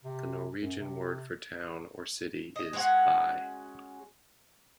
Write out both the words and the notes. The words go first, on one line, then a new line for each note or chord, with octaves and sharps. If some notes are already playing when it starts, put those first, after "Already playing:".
The Norwegian word for town or city is "by".
C3
F#2
C3
D#5
G#3 C#4 F#4 F#5